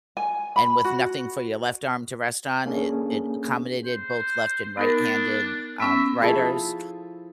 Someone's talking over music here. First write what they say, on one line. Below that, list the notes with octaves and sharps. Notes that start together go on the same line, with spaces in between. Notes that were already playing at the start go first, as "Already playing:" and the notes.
and with nothing for your left arm to rest on, it it accommodated both left and right-handed, um, writers.
G#5
B5
F#4
A#3 C#4 D4 G#4 A4
C5
B3 D4 D#4 A#4
B3 C#4 E5
F3 E4 G#4 A4